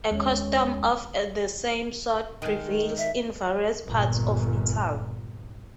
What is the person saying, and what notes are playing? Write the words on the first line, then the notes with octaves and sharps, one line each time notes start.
A custom of the same sort prevails in various parts of Italy.
D#2 G#3 C#4
D#3 G#3
E5
G1 A#2